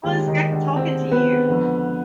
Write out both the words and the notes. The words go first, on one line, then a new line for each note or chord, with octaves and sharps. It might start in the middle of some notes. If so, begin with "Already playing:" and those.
Well, it's great talking to you.
D#2 D#3 G3 G#3 G4
D#3 D#4
D3 D4
C4
B3 B4
F2 D3 G#3